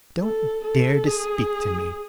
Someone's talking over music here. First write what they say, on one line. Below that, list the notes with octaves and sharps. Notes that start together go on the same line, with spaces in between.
"Don't dare to speak to me."
A4
A4
G#4